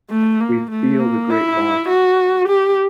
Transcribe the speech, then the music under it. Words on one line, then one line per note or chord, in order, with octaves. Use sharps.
We feel the great loss.
A3
A#3
A3
A#3
E4
F#4
G4